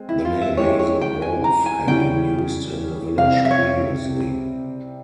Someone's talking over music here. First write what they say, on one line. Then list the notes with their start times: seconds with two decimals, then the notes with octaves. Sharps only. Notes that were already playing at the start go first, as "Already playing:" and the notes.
The name Hazel Grove had been used in the village previously.
Already playing: G#3 C4
0.09 E4
0.25 F4
0.42 E5
0.57 G#3 E4 G4 C#5
0.79 C#5
1.01 G5
1.22 G#5
1.44 A#5
1.66 G#5
1.87 C#3 G3 C#4 E4 G5
3.18 C3 G3 C4 F5
3.45 E5
3.51 C#5